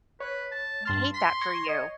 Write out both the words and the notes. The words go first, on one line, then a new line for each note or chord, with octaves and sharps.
I hate that for you.
B4 C#5
A5
G2 A5 C6 F6
C6 B6
C#6 G#6 A#6
C#5 D#5